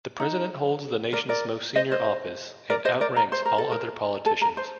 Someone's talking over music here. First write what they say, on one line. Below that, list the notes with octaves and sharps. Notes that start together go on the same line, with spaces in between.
The president holds the nation's most senior office, and outranks all other politicians.
D#4
A#4 D5
A#4 D5
C5 D#5
C5 D#5
A#4 D5
C5 D#5
A#4 D5
A#4
C5
A#4
A4
A#4
A4
A#4
C5